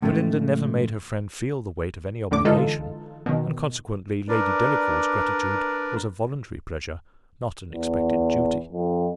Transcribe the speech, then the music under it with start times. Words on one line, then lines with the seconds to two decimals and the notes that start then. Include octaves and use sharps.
Belinda never made her friend feel the weight of any obligation, and consequently Lady Delacour's gratitude was a voluntary pleasure--not an expected duty.
0.02 A2 C#3 F3 G#3 A3
2.31 E2 A2 D3 A3 D6
2.45 D3 E3 G#3 D#4 F4 A4
3.26 B2 D#3
4.28 D4 A#4 B4 D5
7.72 E2
8.72 F2